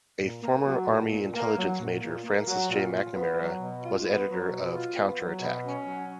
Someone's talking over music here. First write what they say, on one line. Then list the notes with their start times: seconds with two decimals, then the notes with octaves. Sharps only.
A former Army intelligence major, Francis J. McNamara, was the editor of "Counterattack".
0.20 A#2
0.42 A#3
0.65 F#3
0.87 A#2
1.11 A#2
1.33 A#3
1.57 F#3
1.79 A#2
2.01 A#2
2.24 A#3
2.47 F#3
2.70 A#2
2.92 F4
3.15 B3
3.37 F#3
3.60 B2
3.82 F4
4.05 B3
4.28 F#3
4.51 B2
4.73 F4
4.96 B3
5.19 F#3
5.42 B2
5.64 C#4
5.86 F#3